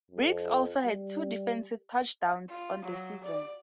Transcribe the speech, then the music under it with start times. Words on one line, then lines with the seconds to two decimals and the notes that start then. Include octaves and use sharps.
Briggs also had two defensive touchdowns on the season.
0.11 F2
0.85 G3
2.48 F4
2.82 F#3
3.23 D5